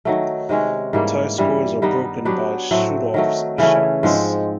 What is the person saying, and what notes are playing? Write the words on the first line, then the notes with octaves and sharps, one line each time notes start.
Tie scores are broken by shoot-offs shots.
D#3 F#3 A3
C3 D#3 G#3 C#4
G#2 E3 G3 A#3
G2 E3 G3
D#3 G3 B3 D#4
F#3 B3 D4 G4
A2 F#3 A3 C4
D#3 F#3 A3
C#3 E3 A3 C#4
G#2 F3 G#3 C4